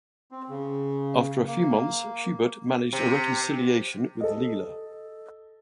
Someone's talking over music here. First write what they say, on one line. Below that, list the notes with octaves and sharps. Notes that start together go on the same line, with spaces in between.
After a few months, Hubert managed a reconciliation with Leila.
C4
C#3
A#3
C3
A4 D#5